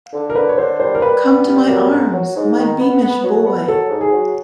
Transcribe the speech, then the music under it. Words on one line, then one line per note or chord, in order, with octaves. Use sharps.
Come to my arms, my beamish boy!
D3
A#4
D3 B4
C#5
D3 C5
G3 C5
A#4
G3 B4
B3
G3
F#3 A#4
G#2
F#3
G#2
D#3
B3
B3
F#3
B3
F#3 A4
G#2
G#4
F#3